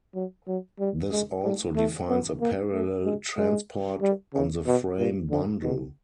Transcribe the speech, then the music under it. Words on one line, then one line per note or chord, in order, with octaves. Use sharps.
This also defines a parallel transport on the frame bundle.
F#3
F#3
G3
G#3
G3
A3
B3
A#3
A3
G#3
G#3
G3
C#3
B2
A#2
D3
B2